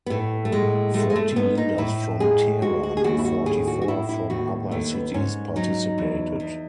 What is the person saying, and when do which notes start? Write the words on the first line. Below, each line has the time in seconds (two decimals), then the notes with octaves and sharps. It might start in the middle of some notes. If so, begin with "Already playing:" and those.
Forty leaders from Tehran and forty-four from other cities participated.
0.06 B3
0.10 A2 A3
0.45 A3
0.52 A2 G#3
0.94 G#3 A3
1.10 G#3
1.16 A3
1.31 A3
1.36 G#2 B3
1.58 D#4
1.78 A2 E4
2.20 G#3 G#4
2.62 G#3 F#4
2.83 F#4
2.97 G#4
3.04 D#2 F#4
3.19 E4
3.25 F#4
3.46 A2 G#4
3.67 F#4
3.82 F#4
3.88 A2 E4
4.09 E4
4.30 D#2 F#4
4.71 D#2 A3
4.93 B3
5.14 G#2 C#4
5.56 F#3 D#4
5.98 E2
6.40 E2